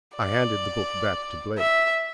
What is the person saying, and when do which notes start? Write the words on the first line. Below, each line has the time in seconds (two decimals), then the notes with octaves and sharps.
I handed the book back to Blake.
0.16 D5
1.58 E5